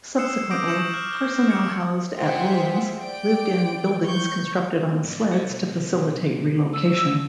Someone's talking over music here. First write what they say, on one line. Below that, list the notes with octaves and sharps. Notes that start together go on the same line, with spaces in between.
Subsequently, personnel housed at Williams lived in buildings constructed on sleds to facilitate relocation.
D#6 E6 F#6 C7 C#7 E7
D6 D#6 G6 A#6 C7 D7
C#6 D#6 C#7 E7 F#7
F6 C#7
G6 G7
D6 D#6 C#7
F4 G#4 C5 E5 F#5 G5
D5 G5 D7
C#6 G6
G#2 D4
F#5 A5
B1
A3 D4 E6